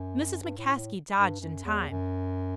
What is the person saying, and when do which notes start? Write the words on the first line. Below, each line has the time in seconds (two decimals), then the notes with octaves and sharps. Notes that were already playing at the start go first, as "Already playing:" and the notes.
Mrs. McCaskey dodged in time.
Already playing: F#2
0.42 G2
0.58 A2
0.74 A2
1.16 G2
1.40 F#2
1.65 E2
1.90 F#2